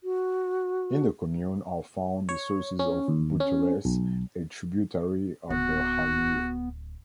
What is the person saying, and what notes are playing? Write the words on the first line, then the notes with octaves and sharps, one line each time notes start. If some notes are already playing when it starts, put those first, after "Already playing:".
In the commune are found the sources of the Butteresse, a tributary of the Hallue.
F#4
C#5
C#4
D#2
C#4
B1
D1 B3 F#4